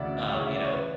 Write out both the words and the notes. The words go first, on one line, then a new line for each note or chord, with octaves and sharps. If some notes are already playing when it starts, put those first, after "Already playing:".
Um, you know.
Already playing: D2 C#3 E3 D5 E5 F#5
C#3 E3 C#5
E5
D5
C#5
B4